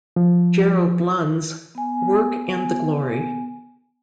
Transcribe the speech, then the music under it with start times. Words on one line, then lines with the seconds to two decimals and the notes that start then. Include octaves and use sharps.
Gerald Lund's "Work and the Glory".
0.16 F3
1.75 B3 G#5